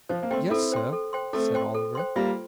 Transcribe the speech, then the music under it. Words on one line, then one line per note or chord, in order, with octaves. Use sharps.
'Yes, sir,' said Oliver.
F3 C5
A#3
A3 C4 G5 C6
C4 E4 A4
C5 G5 C6
A4
C5 G5 C6
A3 C4 A4
C5 G5 C6
A4
C5 G5 C6
G3 A#3 F4